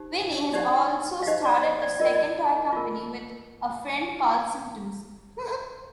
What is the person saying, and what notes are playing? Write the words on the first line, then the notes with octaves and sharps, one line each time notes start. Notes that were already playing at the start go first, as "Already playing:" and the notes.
Vinnie has also started a second toy company with a friend called Symptoms.
Already playing: D#4 G4 C5
D#4 G4 C5 D5
F5
D#4 G4 C5 D#5
D5
D#5
D5
F4 A#4 D#5
D5
D#5
F4 A#4